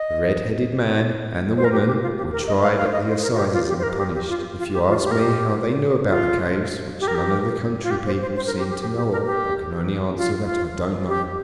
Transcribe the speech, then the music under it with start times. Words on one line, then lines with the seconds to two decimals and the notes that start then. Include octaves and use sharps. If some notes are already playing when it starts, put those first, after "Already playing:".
The redheaded man and the woman were tried at the assizes and punished. If you ask me how they knew about the caves which none of the country people seemed to know of, I can only answer that I don't know.
Already playing: D#5
1.57 C5
1.64 A#4
1.72 G4
1.87 G4
2.02 F4
2.17 G4
2.32 A#4
2.48 D#5
2.62 F5
2.78 F5
2.86 C5
2.92 D#5
3.08 C5
3.22 A#4
3.33 F4
3.37 G4
3.53 F4
3.68 G4
3.79 C5
3.83 A#4
3.98 G4
4.14 G4
4.29 F4
4.59 F4
4.74 G4
4.89 F4
5.04 G4
5.11 A#4
5.19 G4
6.10 F4
7.00 G4
7.08 A#4
7.15 G4
7.83 F4
7.91 G4
8.06 C5
8.21 C5
8.36 C5
8.47 A#4
8.59 G4
8.70 G4
8.81 G4
8.96 G4
9.12 A#4
9.26 G4
10.17 F4
10.44 F4
11.08 G4